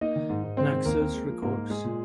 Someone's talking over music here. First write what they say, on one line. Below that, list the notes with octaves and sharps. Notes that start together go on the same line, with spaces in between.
Naxos Records.
A#3 D#4 D#5
D#3
G#2
G#2
G#3 C4 C5
D#3
D#2 A#3 A#4
C4
G#3
F3
G#2 A#3 A#4
G#2
G#3 G#4
A#2